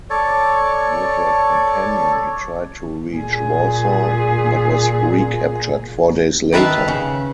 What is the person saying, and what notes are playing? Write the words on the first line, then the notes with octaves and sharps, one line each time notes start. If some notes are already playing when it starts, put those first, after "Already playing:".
With a companion he tried to reach Warsaw, but was recaptured four days later.
A4 C#5 D5
A#2 G#4
D#3 B4 E5 F5 A5
C#3